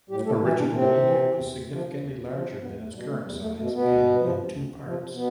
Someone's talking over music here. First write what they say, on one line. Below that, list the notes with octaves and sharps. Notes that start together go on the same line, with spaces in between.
Originally it was significantly larger than its current size and in two parts.
A2 G3 G4
A3 A4
E3 G3 G4
D3 D4
A2 C3 C4
E3
E2
C3 F3
E2
C3 F3
E2 B2 B3
A3
B2 G3
A3
E2 G3
A3
B2 A3
B2 B3
D2
C3 F3
D2
C3 F3
B2 B3